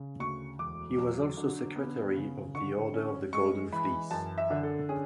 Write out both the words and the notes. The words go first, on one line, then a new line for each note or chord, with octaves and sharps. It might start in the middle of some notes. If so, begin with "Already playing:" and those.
He was also secretary of the Order of the Golden Fleece.
Already playing: C#3
D2 C#6
E1 D6
F#3
D3
B3
C#3
D3 C#6
C#4
G#3 C#6
E3 B5
F#2 A5
E5
D3
A4
C#4 G#4